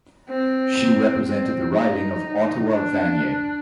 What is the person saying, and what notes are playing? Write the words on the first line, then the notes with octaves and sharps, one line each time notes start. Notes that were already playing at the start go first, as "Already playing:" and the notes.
She represented the riding of Ottawa-Vanier.
C4
C4
D#4
D4